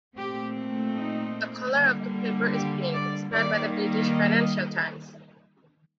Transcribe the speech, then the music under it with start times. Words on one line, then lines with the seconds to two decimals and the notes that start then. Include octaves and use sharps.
The color of the paper is pink, inspired by the British "Financial Times".
0.15 A#2 A3 C4 G4
0.95 D#4
1.74 D3 G3 A#3
2.54 G4
2.93 D5
3.33 D#3 G3 A#3 D5
4.12 D#5